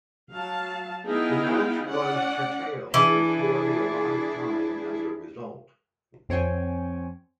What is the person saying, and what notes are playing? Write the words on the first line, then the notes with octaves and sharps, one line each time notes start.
The match was curtailed before the allotted time as a result.
F#3 F5 A5
B3 D#4 E4 G#4 F5 G5
C#4 D5 F#5
E3 D4 E4 G#4
F2 C4 C#5 G5 G#5